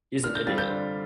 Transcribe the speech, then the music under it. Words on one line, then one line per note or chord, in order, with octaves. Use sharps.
he's an idiot.
D3 F6
G6
G3 C4 F4 A6
G6
D3